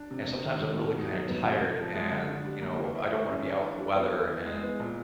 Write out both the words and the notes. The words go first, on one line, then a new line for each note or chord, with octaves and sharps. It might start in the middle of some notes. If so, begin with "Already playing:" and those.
And, sometimes, I'm really, kinda, tired and, you know, I don't wanna be out in the weather, and,
Already playing: D4
C3
C3
D#3
G3
B2
D#4
F#3
B3
C3
C3
F3
G#3
D3
D4
G3
A#3
E3
E4
A3
C#4
E3
D4
G3
B3
E3
E3
G#3
B3
A#2